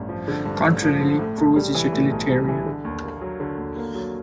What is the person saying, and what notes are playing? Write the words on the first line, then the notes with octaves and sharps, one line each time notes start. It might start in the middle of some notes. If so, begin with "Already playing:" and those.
Contrarily, prose is utilitarian.
Already playing: A1 G2
F3
D3
G2
A1
F3
D3
A2
B1
G3
E3
A2
B1
G3
E3
D3
D#2
A#3
F#3
D3
D#2
A#3
F#3